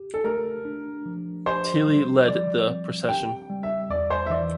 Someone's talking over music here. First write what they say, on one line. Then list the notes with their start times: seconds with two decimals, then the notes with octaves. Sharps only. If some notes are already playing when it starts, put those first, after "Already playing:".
Tillie led the procession.
Already playing: G4
0.14 A4
0.24 A3 A#4
0.65 D4
1.06 F3
1.46 G4 C5
1.87 G3
2.27 F3 D5
2.68 C4
3.08 G4 G5
3.50 G3
3.63 E5
3.90 E2 D5
4.10 C5
4.26 E5
4.30 E3 D5